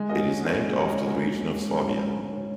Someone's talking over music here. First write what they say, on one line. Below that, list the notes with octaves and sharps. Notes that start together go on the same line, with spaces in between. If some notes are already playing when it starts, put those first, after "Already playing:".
It is named after the region of Swabia.
Already playing: G#3
C#4 F#4 A#4 D#5
G#3
C#4 F#4 A#4 D#5
G#3
C#4 F#4 A#4 D#5
G#3
C#4 F#4 A#4 D#5
G#2
F#3 C#4
G#2
F#3 C#4
G#2
F#3 C#4
G#2
F#3 C#4